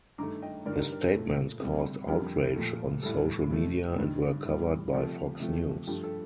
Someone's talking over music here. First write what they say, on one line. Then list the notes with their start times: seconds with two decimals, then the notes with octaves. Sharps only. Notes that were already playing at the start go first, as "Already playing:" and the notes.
His statements caused outrage on social media and were covered by Fox News.
0.18 G2 D#3 A3 A#5 D6
0.42 D#5 G5
0.66 G2 D#3 G3 A#4 D5
0.78 G4 A#4
0.92 A#4
1.01 A4 C5
1.13 A#2 A3
1.60 C3 G3
2.08 F2 D3 G3 G4 A#4
2.56 A#2 F3 A3
3.03 A2 G3 A4
3.50 C3 F3 A3
3.98 G2 D#3 G3
4.45 A2 G3
4.93 C3 F3 A3 G4
5.40 C3 F3 A3
5.87 G2 F3 A3 G4
6.04 A4